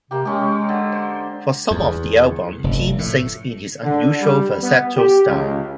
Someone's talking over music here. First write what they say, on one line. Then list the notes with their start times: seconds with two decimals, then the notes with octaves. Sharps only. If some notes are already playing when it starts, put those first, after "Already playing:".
For some of the album, Tim sings in his unusual falsetto style.
0.11 C3 A#3 G4
0.25 G#3 C#4 G4
0.69 D3
0.92 C5
1.71 E2
2.64 F1
2.99 A2
3.82 D3
4.21 G3
4.61 B3
4.95 G4
5.28 C#2